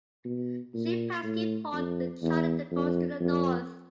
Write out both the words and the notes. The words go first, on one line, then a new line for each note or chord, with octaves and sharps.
The ship passed Cape Horn, then charted a course to the north.
B2
A#2
A2
F2
E2
F2
F2